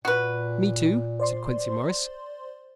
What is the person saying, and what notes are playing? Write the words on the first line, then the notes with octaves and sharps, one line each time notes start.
"Me too?" said Quincey Morris.
A#2 F#4 B4
C5 D5 C6